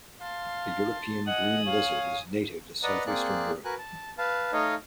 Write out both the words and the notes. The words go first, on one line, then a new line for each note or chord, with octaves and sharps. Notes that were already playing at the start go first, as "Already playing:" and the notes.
The European green lizard is native to southeastern Europe.
F5 A5 C6
D#5 F#5 G#5 D#6 F#7
C#5 F5
B4 D5 D#5 F#5 A#5
A#3 C4 G#4 D5 F#6
F#4 A#4 B4 G#5 F#6
A5
B4 F5 A5
A3 D#4 C#5 D#5 F5